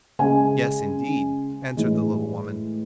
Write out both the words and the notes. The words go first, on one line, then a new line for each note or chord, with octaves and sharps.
"Yes, indeed," answered the little woman.
C#3 G#3 G#5
A2 E3 G#3